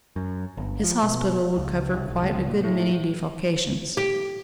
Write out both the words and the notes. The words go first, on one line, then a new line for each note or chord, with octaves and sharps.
His hospital would cover quite a good many defalcations.
F#2
G1
F3
B2
C#2
C2
B1
C#2
C#2
A#2
A2
G4